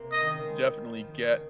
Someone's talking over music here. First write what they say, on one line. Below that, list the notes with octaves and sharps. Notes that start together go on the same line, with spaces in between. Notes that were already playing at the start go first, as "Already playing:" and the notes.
definitely get
Already playing: C3 A#3 C4 D#4
D#5
D#3
C#3
D#3
G3 G#3
F3
G3
F3
D#3
F3
D#3
C#3